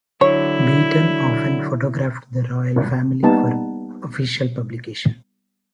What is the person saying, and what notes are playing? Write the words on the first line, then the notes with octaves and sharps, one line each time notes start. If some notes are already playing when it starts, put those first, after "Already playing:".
Beaton often photographed the Royal Family for official publication.
D3 F#3 E4 C#5
G3 A#3 B3 D#4 A5